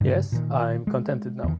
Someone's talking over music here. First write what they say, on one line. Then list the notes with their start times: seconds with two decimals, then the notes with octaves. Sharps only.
Yes, I am contented now.
0.01 G2 C#3
0.32 A#2 D#3
0.87 G#3
1.44 E2 D#3